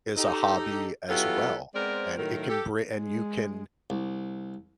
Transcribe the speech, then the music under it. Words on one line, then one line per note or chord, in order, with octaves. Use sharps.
is a hobby as well. And it can bri and you can
D#4 G4 A4
F#3 B3 E4 F4 G4 A4
G#3 B3 C4 A#4 C5 D5
A2 D#3 F#3 A3 A#4
G4 A4
G#3
C2